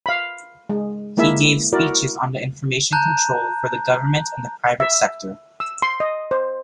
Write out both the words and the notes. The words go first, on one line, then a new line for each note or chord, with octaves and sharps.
He gave speeches on information control for the government and the private sector.
F5 B5
G#3
G#3 A#3 E4 E5
E4 F#4 A#4 D5
A5 A#5 F#6 G6
E5
E6
C6
D#5
C5